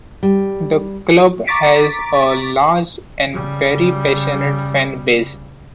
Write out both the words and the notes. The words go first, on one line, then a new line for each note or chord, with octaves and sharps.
The club has a large and very passionate fan base.
G3
A#5 C#6 D6 A6 B6 D7
C#3 G3